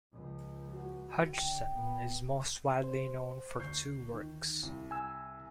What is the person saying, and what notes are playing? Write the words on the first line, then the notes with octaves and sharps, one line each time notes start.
Hodgson is most widely known for two works.
C#2 F3
F#4
D3 G5
A#2 B3
C5
D2 C#6 G6 C7
D#3
C2
G#5 E6